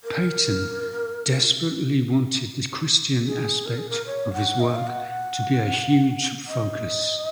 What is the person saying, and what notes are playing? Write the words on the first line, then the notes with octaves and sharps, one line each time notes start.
Paton desperately wanted the Christian aspect of his work to be a huge focus.
A#4
G#4
A#4
G#4
A#4
C#5
F#5
D#5
F5
F#5
D#5